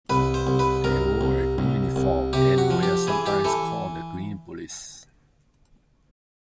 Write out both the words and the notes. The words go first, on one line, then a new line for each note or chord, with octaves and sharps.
They wore a green uniform, and were sometimes called the "Green Police".
C2 B4
C5
C2
B4
C2 A#4
C2
C2
C2
C3 G4
F#4
F3
G4
E3 G#4
G4
E3 A4